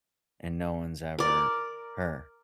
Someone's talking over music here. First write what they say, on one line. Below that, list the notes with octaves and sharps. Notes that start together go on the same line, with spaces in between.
and no one's ever her,
A#4 D5